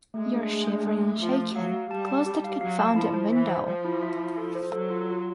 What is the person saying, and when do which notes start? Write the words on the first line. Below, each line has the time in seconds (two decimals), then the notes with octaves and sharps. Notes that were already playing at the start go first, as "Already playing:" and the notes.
You’re shivering and shaking; close that confounded window!
0.14 G#3 A3
0.33 D4
0.50 A3
0.67 D4
0.85 A3
1.03 A3
1.20 F3 A3
1.38 A3
1.56 F#3 F5
1.73 F5
1.91 G3 A5
2.08 A5
2.26 G4
2.44 F5
2.61 F#3 F5
2.79 A5
2.96 F3 E4
3.14 C5
3.31 E3 E5
3.49 C5
3.67 F3 C5
3.85 E4
4.02 E5
4.20 E4
4.37 A4
4.55 C5
4.73 F#3 A4
4.90 F4
5.09 F4